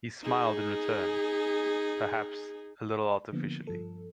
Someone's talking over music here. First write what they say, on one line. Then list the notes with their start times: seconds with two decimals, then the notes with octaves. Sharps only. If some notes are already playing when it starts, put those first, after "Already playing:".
He smiled in return — perhaps a little artificially.
0.24 D#4 G#4
3.32 D3 F3 A#3 B3
3.67 G2 F3 A4